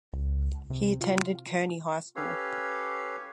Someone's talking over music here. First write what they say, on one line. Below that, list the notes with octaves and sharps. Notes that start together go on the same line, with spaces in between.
He attended Kearny High School.
C#2
C3
F4
C#4 G4 A4 B4 C#5 F5